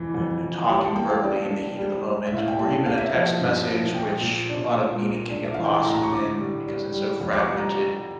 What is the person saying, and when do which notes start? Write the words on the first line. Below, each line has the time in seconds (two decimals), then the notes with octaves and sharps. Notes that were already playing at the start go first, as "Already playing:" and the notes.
you kn talking verbally in the heat of the moment or even a text message, which a lot of meaning can get lost within because it's so fragmented.
Already playing: F2 E3
0.14 F2
0.42 E3
0.69 G3 A5
0.83 A5
0.96 A#3 G5
1.09 F5
1.23 D4 D5
1.50 D4
1.77 G3
2.05 G3
2.26 E5
2.32 A2 F5
2.48 G5
2.59 G3 A5
2.86 A#3 F5
2.98 E5
3.09 F3 F5
3.40 G2
3.67 F3
3.94 A#2 G5
4.21 A#2
4.49 D4
4.76 A#2
5.03 A#3
5.30 D4
5.44 E5
5.54 E3 F5
5.65 G5
5.74 A5
5.84 A2 A#5
5.95 A#5
6.03 C#6
6.11 D3 D6
6.39 G3
6.66 G3
6.93 G3
7.20 F2
7.33 D6
7.39 C#6
7.48 G3
7.57 A#5
7.74 G3